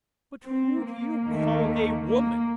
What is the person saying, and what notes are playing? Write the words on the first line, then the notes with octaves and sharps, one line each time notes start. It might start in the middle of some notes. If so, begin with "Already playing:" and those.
'But who do you call a woman?
C4
A#3
D#2 D#3 A3
A#3